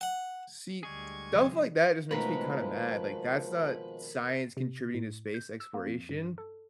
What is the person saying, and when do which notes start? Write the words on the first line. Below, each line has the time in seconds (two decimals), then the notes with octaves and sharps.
See, stuff like that just makes me kinda mad, like, that's not science contributing to space exploration,
0.01 F#5
0.83 D2 G3 G#3 G#4 C#6 G#6
1.32 C3 F3
2.11 D#2 B2 F3 G#3 A3 A#4 B4
4.57 C3
4.95 A2
5.34 G6
5.60 E6
5.74 A#3
5.87 F2
6.09 G2
6.38 A4